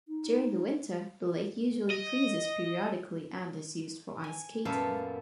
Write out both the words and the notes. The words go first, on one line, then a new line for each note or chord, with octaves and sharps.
During the winter, the lake usually freezes periodically and is used for ice skating.
D#4
D#5
G#5
F#2 A#2 B3 A4 E5 F5